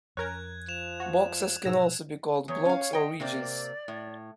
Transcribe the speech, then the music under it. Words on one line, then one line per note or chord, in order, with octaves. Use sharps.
Boxes can also be called blocks or regions.
F2 C#4 A#4 F#6 G#6
F3 E7 F7
F#4
G#2 B2 F3 E6 G#6 A#6
E2 C#5
C#4 F5
D#5 G5
C3 A#3 C4 D5
A2